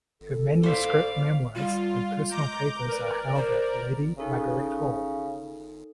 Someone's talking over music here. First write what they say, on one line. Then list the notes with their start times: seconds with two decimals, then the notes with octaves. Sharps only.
Her manuscript memoirs and personal papers are held at Lady Margaret Hall.
0.21 A4
0.63 A2 C5 D5 F5 B6
1.55 G3 F4
2.30 G#3 A#5 D6 G6
2.88 A#4 B4 D5
3.36 C5
4.18 C#3 D#4 A4 A#4